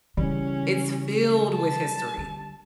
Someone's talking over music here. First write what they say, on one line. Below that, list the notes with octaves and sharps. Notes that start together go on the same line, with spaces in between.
it's filled with history.
C#3 E3 G3 C#4
A5
D3